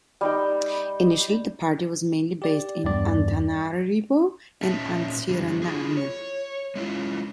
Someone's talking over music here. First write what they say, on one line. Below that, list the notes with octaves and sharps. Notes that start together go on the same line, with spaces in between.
Initially the party was mainly based in Antananarivo and Antsiranana.
G3 D#4 G5
G4 D5
E2 G2 D5
A#2 C#4 D#4 E5 A5
F#2 D3 G3
E4 F4 G#4
C#5
G#3 C#4 E4 F4